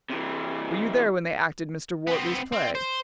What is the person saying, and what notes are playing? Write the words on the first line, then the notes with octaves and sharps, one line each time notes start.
Were you there when they acted Mr. Wortley's play?
C3 E3
B3 C4
C4
C5